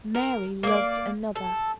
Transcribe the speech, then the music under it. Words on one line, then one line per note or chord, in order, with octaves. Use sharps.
Mary loved another!
A#4
A#3 D5
A4